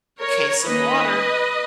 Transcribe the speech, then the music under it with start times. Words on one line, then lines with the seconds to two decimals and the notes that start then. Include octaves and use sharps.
case of water
0.19 A#4 C#5
0.62 D#3 A#3 C#4 B4 D#5